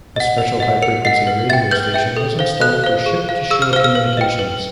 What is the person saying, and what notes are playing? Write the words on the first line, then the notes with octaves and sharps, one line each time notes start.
A special high frequency radio station was installed for ship-to-shore communications.
D#5 F#5
A#4
D#5 F#5
A#4 C#7
D#5 F#5 C7
B4
E5 G5 A6
B4 G6
E5 G5
A4
C5 F5
A4 F#6
C5 F5
G#4
C5 F5
G#4 E6
F6
C5 F5 F6
F6
B4
D#5 G5
B4